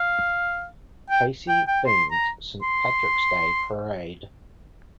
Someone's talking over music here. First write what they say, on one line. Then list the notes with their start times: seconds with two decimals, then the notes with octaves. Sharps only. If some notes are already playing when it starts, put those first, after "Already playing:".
Casey themed Saint Patrick's Day Parade.
Already playing: F5
1.10 G5
1.49 G5
1.68 G5
1.87 C6
2.11 A#5
2.62 C6